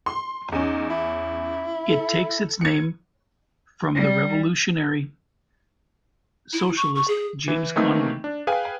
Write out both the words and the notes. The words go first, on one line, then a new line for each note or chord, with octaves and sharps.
It takes its name from the revolutionary socialist James Connolly.
C6
E2 C#4 D#4
E4
A4
G#6 C#7
G3
E4
C#6
C#6
G#4
E3
D#3 E3 A3 A#3 C4 D#4
D4
G#4 B4 F5 G5 G#5